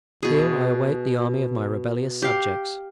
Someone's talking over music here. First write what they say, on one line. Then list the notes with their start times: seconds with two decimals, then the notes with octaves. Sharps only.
Here I await the army of my rebellious subjects.
0.23 B2 G#4
2.22 G4 F5